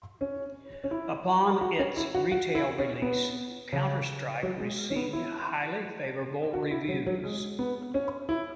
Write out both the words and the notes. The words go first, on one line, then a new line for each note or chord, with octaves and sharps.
Upon its retail release, "Counter-Strike" received highly favorable reviews.
C#4
C#4
E4
F#4
C#4
E4
F#4
F#4
E4
C#4
B3
C#3
F#3
G#3
C#4
B3
E4
F#4
E4
F#3
F#3
G#3
B3
C#4
E4